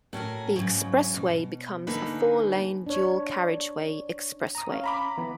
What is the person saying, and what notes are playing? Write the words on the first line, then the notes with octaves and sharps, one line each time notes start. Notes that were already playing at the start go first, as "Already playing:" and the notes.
The expressway becomes a four-lane dual-carriageway expressway.
A2 C#4 F#4 A#4
G#2 C#3 E3 F#3
B2
D3 E3 G#3 A#3 D#4 B4
D4 C#5
A#5 D#6
C#4 F5
A#5 B5 D6
E3 B3